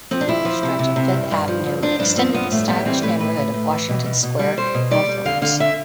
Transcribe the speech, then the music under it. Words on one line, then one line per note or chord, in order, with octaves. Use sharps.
The lower stretch of Fifth Avenue extended the stylish neighborhood of Washington Square northwards.
F3 C4
D4
F3 E4
F3
C3
C3
C3
G2
G2
F3
G2
F3 D4
G2 D4
F3 C4
G2 B3
A2 A3
G3 B3
E3 C4
A2 B4
A2 B4
A2
A2
E3
B2
B2
B2
G3
G3 C5
B2
G3 D5
G3
D3 F5
D3 F5
E5